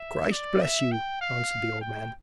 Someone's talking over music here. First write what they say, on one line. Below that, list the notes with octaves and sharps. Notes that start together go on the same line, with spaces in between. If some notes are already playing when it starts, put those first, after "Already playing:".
'Christ bless you,' answered the old man.
Already playing: E5
D5
E5
G5
F5
G5